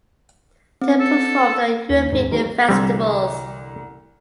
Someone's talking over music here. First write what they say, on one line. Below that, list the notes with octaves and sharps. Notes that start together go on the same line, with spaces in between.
They performed at European festivals.
C4
A4
D#2
D#2 G#2 C4
D#3 F#3 G#3 A#4
C2 D3 E3 G3 C4